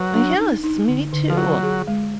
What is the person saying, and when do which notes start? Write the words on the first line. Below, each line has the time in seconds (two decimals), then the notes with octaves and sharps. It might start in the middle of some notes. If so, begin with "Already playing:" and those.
Ah, yes, me too.
Already playing: F#3 B4
0.14 D4
0.38 D#4
0.64 D#4
0.88 D3
1.13 D3
1.30 F3
1.37 F#3 F4
1.63 G#4
1.87 G#3